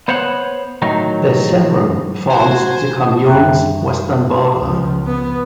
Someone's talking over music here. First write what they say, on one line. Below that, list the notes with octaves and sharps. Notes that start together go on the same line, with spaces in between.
The Sevron forms the commune's western border.
B3 C5 C#5 F#5
A2 D#3 F#3 D#4
F#4 C5 G#5 C6
F#2 G3 E5 G5 C#6 F#6
C#2 F3
B3